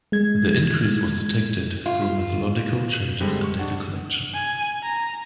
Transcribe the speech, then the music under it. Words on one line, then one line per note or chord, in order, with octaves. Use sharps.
The increase was detected through methodological changes in data collection.
G#3 G#6
F4
D3 G3 G#3 C4
C#6
D4 F#5
G#5
A#5